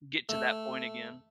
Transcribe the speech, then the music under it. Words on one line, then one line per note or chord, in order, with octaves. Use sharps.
get to that point again."
A3